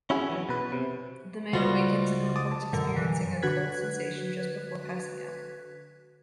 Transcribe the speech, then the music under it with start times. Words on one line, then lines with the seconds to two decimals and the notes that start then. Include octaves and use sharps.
The man awakens and reports experiencing a cold sensation just before passing out.
0.10 C#4 E4 F#4 G#4
0.30 E3 F#3
0.49 B2 B4
0.72 C3
1.53 C#2 G3 F4 F#4 C5 D#5 F#5
2.36 D6 D#6 A6
2.51 A5
2.73 B1 F#2 D3 A#4
2.97 E3
3.42 D3 F#4 B4 F#6 G#6 B6